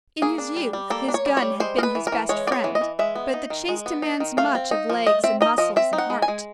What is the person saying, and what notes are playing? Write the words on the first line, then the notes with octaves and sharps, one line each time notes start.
In his youth his gun had been his best friend; but the chase demands much of legs and muscles and heart.
A#3 G#4
D4
G3
G3
A#3 A4
D4
C#5
G3
C#5
G3
G#3 C5
B3 A#4
B4
E3
A#4
E3
G#3 C#5
B3 C#5 D5
E3
D#5
E3
G#3 E5
B3
D#4
D#3
G#3
B3
D#4
D#3
A3 F5
C4
D#4
F3
A3 D#5
C4 E5
D#4 D#5
F3 D#5
C4 E5
D#4
F#5
G#3
G#5
G#3